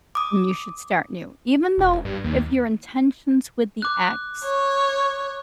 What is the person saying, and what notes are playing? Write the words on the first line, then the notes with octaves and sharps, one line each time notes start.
and you should start new. Even though, if your intentions with the ex
D6 D#6
E1
G2
D#2
D6 F#6
C#5